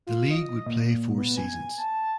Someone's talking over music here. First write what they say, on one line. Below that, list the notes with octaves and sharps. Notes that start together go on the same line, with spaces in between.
The league would play four seasons.
F4
D#5
A#2
B3
G#5
A5